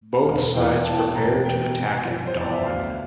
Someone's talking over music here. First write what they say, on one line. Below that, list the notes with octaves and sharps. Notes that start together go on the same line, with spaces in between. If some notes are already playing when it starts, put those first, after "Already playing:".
Both sides prepared to attack at dawn.
E1 F5
E2 G5
E3 A5
G5
A5
E1 A#5
E2 G5
C3
F3
C5
E2
D5
E5
D2 F5